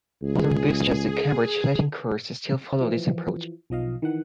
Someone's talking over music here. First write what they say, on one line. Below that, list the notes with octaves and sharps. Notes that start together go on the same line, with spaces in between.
Modern books such as the "Cambridge Latin Course" still follow this approach.
C#2 G#4
E3 F3
B1 F3 D#5 F5
D#3 E3 F#5